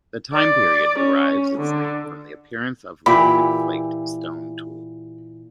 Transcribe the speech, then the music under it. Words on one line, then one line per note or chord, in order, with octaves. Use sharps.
The time period derives its name from the appearance of "Lithic flaked" stone tools.
D5
C#4
D3
A#2 E3 G4 B5